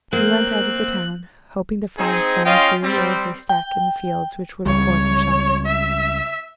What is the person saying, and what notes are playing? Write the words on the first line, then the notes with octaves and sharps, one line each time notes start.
He went out of the town, hoping to find some tree or haystack in the fields which would afford him shelter.
A#3 C4 A#4 F#6
C4 D#4 G#4
C#4 F4 D#5 F5 G5 C6
G3 C4
G5
C#2 G3 C#5
E5